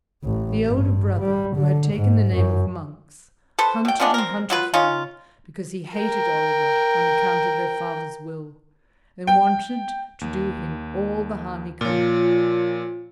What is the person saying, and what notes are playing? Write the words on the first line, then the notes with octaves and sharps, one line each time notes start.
The older brother, who had taken the name of Monks, hunted and hunted for them, because he hated Oliver on account of their father's will, and wanted to do him all the harm he could.
A1
G2
G3
D3
G#2
F#2
A4 B4 C5
B2 G5
F3 G#3 B3 D4
C4 A#4
F#3 F4 B4
C#4 D#4 F4
A#4 G5
G5
D#2
A#2 F3 F4 C#5